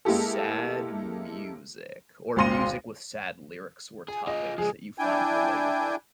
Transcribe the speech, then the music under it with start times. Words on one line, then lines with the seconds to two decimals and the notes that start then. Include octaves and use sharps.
sad music or music with sad lyrics or topics that you find relatable.
0.05 G#3 A#3 E4 G4 A4
2.36 G#1 C#2 F5 C6 A#6 D#7
4.08 G#4 G#5
4.27 F4 G#4 D#5
4.58 F3 G#3 G#4
4.98 D4 E4 G5 G#5